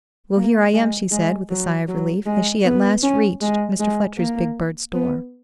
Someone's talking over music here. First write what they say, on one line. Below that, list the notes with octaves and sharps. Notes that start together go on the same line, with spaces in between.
"Well, here I am," she said with a sigh of relief, as she at last reached Mr. Fletcher's big bird store.
A#3
G#3
G#3
F#3
F#3
G#3
B3
C#4
G#3
G#3
A#3
B3